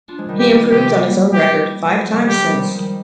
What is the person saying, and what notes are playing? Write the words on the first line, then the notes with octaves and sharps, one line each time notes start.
He improved on his own record five times since.
D4 F4
F3 G#3
D#3 G3
G4
C3 D#3 G4
F3 G#3
G3 A#3
G3 A#3
G4
F3 G#3
D#3 G3
D3 F3 G4
D#3 G3
F3 G#3
D#3 G3